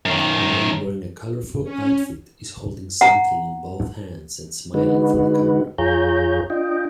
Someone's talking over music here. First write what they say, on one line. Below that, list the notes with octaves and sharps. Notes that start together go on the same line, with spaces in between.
The man wearing a colorful outfit is holding something in both hands and smiling for the camera.
F#2 D#3
C#4
F#5 A#5
D3 G#3 D#4 F#4 B4
F2 F4 G#4 C#5 A#5 G6
D4 F4 D#5 G5